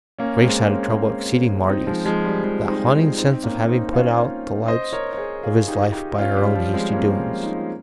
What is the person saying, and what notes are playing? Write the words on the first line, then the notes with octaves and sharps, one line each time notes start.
Grace had a trouble exceeding Marty's--that haunting sense of having put out the light of his life by her own hasty doings.
A#3 C#4
G#3 C4
A#3 C#4
C4 D#4
F3 G#3
F3 G#3
G3
F3 G#3
C4 D#4
C4 D#4
A#3 C#4
C4 D#4
C#4 F4
C5 D#5
A#4 C#5
C#5
G#4 C5
F4 G#4
D#4 G4
D#4 G4
C#4 F4
G3
F3
G#3 C4
A#3 C#4
D#4
F4